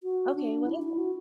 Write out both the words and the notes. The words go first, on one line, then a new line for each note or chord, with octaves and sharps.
Okay, what is it?
F#4
D4
E4
E4
F#4